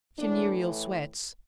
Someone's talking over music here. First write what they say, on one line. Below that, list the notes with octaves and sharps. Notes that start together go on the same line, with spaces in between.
Funereal sweats.
A2 E3 A3 D4